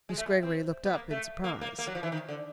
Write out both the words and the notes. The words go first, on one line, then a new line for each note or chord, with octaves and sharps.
Miss Greggory looked up in surprise.
G#3
A3
G#3
C4
B3
A#3
A3
A#3
A#3
A#3
F#3
F3
E3
D#3
D3